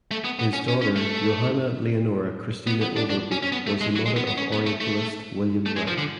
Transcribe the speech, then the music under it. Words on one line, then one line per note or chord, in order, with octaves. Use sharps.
His daughter Johanna Leonora Christina Overbeek was the mother of orientalist William Wright.
A3
B3
B3
C#4
C#4
C#4
A3
B3
B3
D4
D4
C#4
C#4
B3
A3
G#3
F#3
G#3
B3
B3
C#4
B3
A3
A3
A3
G#3
F3
D3